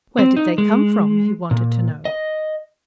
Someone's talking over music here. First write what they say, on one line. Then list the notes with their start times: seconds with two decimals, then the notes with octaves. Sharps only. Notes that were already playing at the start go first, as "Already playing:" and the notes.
"Where did they come from?" he wanted to know.
0.19 C4
0.37 D#4
0.58 G#3
1.51 A#2
2.05 D#5